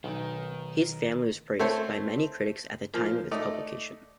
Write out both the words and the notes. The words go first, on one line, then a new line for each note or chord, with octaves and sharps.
"His Family" was praised by many critics at the time of its publication.
B1 D#3
A3 C4 A4 C5 C#5
F3 A#3
A3 D#4 D5